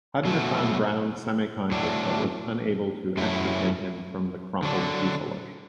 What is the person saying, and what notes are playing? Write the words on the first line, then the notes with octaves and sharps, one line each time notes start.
Hudner found Brown semi-conscious, but was unable to extricate him from the crumpled fuselage.
B2 F#3 A3
A2 F#3 D4
F#2 F#3 A3 E4
D3 F#3 D4